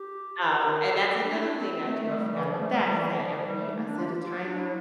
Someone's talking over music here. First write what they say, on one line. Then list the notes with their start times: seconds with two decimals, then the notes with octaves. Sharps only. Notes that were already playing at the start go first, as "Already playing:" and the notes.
um, and that's another thing I do, I forgot about that, is that every I set a timer
Already playing: G4
0.61 A#4
0.92 A4
1.08 G4
1.24 D4
1.34 E4
1.45 D4
1.56 C4
1.87 A3
2.03 A3
2.19 G3
2.34 E3
2.45 G3
2.50 F3
2.61 A3
2.72 G3
2.83 G3
2.99 E3
3.13 F3
3.25 F3
3.46 G3
3.61 A3
3.78 A#3
3.88 D4
3.98 F4
4.09 G4
4.44 D4
4.58 E4